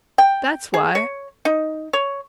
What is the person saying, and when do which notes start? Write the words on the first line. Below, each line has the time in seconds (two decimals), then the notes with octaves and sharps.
That's why.
0.18 G5
0.74 G#4
0.95 C#5
1.45 D#4
1.93 C#5